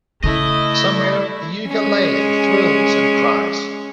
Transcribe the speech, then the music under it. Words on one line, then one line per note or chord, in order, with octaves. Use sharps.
Somewhere a ukulele thrills and cries.
C#3 A3 E4 D#5
G#3 C#4